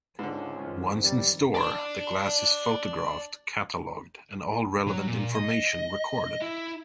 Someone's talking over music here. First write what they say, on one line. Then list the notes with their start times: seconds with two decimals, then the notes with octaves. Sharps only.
Once in store, the glass is photographed, catalogued and all relevant information recorded.
0.19 C#2 G#2 D3 D#4
0.57 F#2 D#3 G#3 C4 C#4 F4
1.03 F2 G3 A6
1.55 D5 A5
4.87 F#3
5.07 A#2
5.35 D#5
6.42 E4